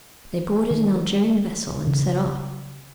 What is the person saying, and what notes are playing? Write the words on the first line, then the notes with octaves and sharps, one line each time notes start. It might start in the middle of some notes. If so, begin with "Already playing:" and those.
They boarded an Algerian vessel and set off.
D#3
C#3